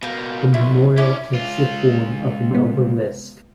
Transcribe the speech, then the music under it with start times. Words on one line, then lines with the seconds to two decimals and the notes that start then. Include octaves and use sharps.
The memorial takes the form of an Obelisk.
0.03 B2 A#3 F5 G5
0.54 B1 E4
0.97 C#4 D4 E4 C#5 D5
1.33 C#2 F4
2.51 C3 G3 B3